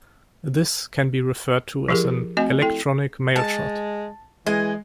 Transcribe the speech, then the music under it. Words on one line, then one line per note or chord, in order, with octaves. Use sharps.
This can be referred to as an "electronic mailshot".
F3 E4 G4 G#4 A#4
A3 C4 F#4 D#5 G#5
E4 A4 G5
G#3 A5
E3 G#3 D#5 G#5